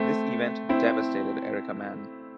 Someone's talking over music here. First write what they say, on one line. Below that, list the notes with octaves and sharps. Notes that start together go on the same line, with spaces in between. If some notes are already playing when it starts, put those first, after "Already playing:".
This event devastated Erika Mann.
Already playing: A3 C4
C4 E4